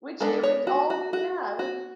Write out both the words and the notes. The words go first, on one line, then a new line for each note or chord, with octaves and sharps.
Which it would all yeah. It would be
G#3 B3 D4 A4
C#5
F#4
F#4
F#4
F#4